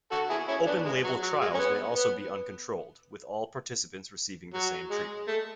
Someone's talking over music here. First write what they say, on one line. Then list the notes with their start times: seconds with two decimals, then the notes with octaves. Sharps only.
Open-label trials may also be uncontrolled, with all participants receiving the same treatment.
0.11 F#4 A4
0.30 E4 G#4
0.48 C#4 E4
0.67 B3 D4
0.85 G#3
1.04 F#3
1.22 F#3
1.41 G#3
1.54 C#4
1.59 B3
1.96 B3
4.54 F#3
4.91 G#3
5.28 A3